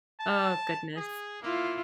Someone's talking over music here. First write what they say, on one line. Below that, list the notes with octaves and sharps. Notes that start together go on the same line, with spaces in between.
Oh, goodness.
A5
G#4
A#3 E4 F4